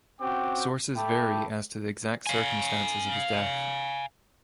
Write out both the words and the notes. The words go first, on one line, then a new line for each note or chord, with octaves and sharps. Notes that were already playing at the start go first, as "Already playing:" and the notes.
Sources vary as to the exact circumstances of his death.
C4 C#4 F#4 G5 D6
A3 G5 A5 B5 D6
F5 G#5